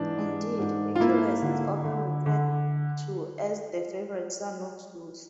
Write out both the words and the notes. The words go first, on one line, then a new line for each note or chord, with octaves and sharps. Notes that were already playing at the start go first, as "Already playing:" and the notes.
Indeed, Hercules is often referred to as "the favorite son of Zeus".
Already playing: G#2 E3 D4
G#3
G#2
F4
A#3 E4
D3
D3
D3